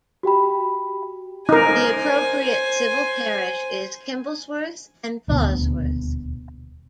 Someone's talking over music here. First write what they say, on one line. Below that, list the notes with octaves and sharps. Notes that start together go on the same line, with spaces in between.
The appropriate civil parish is Kimblesworth and Plawsworth.
F#4 G4 G5 B5
D#4 A#4 C5 G#5
D#1 D2 B2